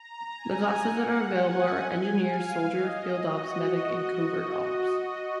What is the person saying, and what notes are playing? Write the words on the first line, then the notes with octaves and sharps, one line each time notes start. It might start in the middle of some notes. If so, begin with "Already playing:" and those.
The classes that are available are engineer, soldier, field ops, medic, and covert ops.
Already playing: A#5
G#5
F#5
G#5
F5
D#5
F#4